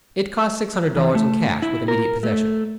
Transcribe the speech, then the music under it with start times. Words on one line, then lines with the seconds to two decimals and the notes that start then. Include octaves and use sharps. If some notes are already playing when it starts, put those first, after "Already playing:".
It cost six hundred dollars in cash, with immediate possession.
0.97 E3
1.15 A3
1.62 E4
1.88 A#4
2.23 A3